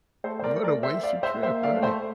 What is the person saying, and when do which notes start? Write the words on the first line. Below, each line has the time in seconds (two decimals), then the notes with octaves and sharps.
What a wasted trip, right.
0.24 A3 A4 C5
0.39 C5
0.43 A#4 D5
0.64 A#4 D5
0.83 C5 E5
1.03 D5 F5
1.23 C5 E5
1.43 A#3 C5 E5
1.63 D5 F5
1.73 A3
1.83 C5 E5